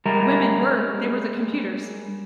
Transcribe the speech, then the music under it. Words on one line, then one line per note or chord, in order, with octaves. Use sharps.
women were they were the computers,
G3 G#3 A#4